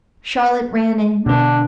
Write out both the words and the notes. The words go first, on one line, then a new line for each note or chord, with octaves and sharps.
Charlotte ran in.
B2 D3 B3 D4